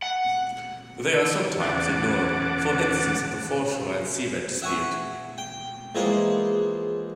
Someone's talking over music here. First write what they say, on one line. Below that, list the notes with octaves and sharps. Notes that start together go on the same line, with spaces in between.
They are sometimes ignored, for instance in the foreshore and seabed dispute.
F#5
E2 C#3 F#5 A5 D6
E5 F#5 G#5 C#6
G5
E2 F3 G#3 A#3 C5